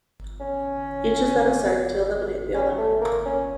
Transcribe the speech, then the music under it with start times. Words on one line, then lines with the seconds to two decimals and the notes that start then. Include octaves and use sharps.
Each is then assigned to eliminate the other.
0.40 C#4
2.54 C#4
2.78 A3
3.01 A#3
3.26 C#4